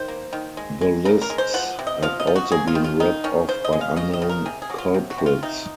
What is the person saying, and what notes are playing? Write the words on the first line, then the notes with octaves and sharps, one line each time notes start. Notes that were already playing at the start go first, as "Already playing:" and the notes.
The lists have also been ripped off by unknown culprits.
Already playing: D#3 C5
A#3
D#3
G#3
G#3
C#3 A#4
A#4
G#3
C5
F3 F#5
C3
D#5
F3 F5
D#5
F3
F#4
A#3 G#4
F4
D#3
F4
D#3 D#4
D#3 C#4
C#3 C5
D#5
G#3
F5
C#3 D#5
D#5
C#3
A#4
C3 G#4
G#4
F#3
F4
C3
F#4
C3
F4
C3 D#4